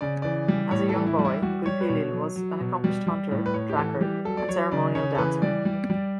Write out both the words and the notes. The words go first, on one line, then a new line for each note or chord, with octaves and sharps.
As a young boy, Gulpilil was an accomplished hunter, tracker and ceremonial dancer.
C#3 D5
E3 D5
G3
A2 C#5
A4
E3
E4
G3
E4
G3 F#4
G3 C#5
B4
B2 C#5
F#3
F#3
B2
G3
G3
A2
B4
A2 C#5
G4
E3 A4
G3 G4
F#3 A4
D5
F#3 C#5
C#3 D5
C#3 C#5
A4
E3 B4
G3 D5
G3
G3